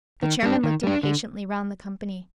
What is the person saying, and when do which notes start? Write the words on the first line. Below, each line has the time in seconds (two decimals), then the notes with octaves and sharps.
The chairman looked impatiently round the company.
0.23 D#3
0.43 G3 D4
0.64 D#3
0.83 G3 D4
1.03 D3